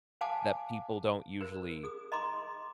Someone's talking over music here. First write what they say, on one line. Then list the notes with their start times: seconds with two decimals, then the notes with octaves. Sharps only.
that people don't usually
0.21 C5 F5 F#5 G#5 A5 D6
1.41 A#4 C5
1.83 G#4 D#6
2.12 D#5 A#5 C6 D6